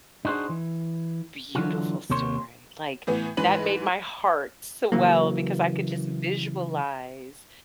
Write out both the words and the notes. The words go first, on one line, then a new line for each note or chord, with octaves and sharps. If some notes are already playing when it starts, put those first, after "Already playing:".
beautiful story. Like, that made my heart swell because I could just visualize,
D4 D#4 F#4 G#4 C5
E3
D3 E3 F#3 F4 F#4
D#2 C3 A#3 C#5 C6
A2 E3 B3
G#2 E3 B4 B5 F#7
C#3 E3 F#3 A#3